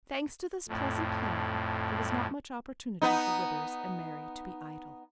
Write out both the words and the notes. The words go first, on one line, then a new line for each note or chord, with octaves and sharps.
Thanks to this pleasant plan, there was not much opportunity for Withers and Mary to be idle. . . .
F2 A2
B3 D#4